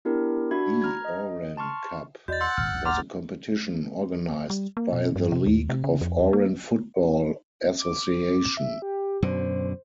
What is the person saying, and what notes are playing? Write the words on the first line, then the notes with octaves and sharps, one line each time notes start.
The Oran Cup was a competition organized by the League of Oran Football Association.
B3 D4 E4 G4 A#4
D4 F#4 E5 B5 G#6
A#5 F6 G#6
D#5
A5 C6 C#6 F6
E2 F#4 D5 D#5 G6 A6
F#5 C6 E6
D#1 G#1 F6
D#1 A#1 G#2
F#5 A#5 C6 D6 F6
G3
A#3
B2
G2
C3
D#2
C3
C#3
F2
E2
A#3
D6
E5
G4
F#2 B2 D3 C5